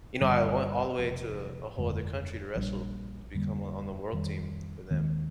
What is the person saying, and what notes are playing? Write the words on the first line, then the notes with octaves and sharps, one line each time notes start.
you know I went all the way to a whole other country to wrestle, to become on on the world team for them,
G1 G2 D3 G3
F1 F2 C3
G1 F2 D3 G#3
A#1 A#2 G3 D4
F2 D3 G3 A#3
F2 D#3 G3
D#2 D#3 G#3 C4